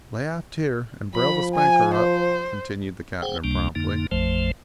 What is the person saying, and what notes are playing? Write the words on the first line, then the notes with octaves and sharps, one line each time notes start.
"Lay aft here, and brail the spanker up!" continued the captain, promptly.
F3 B5
G#5
C5
G#4 C5 F#5 G5
C#2 C3 G3 A#3 D4
F2 D3 A#3 D#4
A1 F2 F3 A3 C5